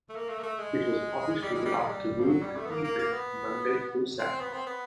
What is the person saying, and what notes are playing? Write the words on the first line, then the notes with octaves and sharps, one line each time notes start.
It was published in the afternoon and evening Monday through Saturday.
A3
A#3
A3
A#3
A3
G#3
G3
G#3
G3
G#3
G3
F3
F#3
G3
A3
B3
A#3
A#3
A#3
B3
C4
B3
C4
B3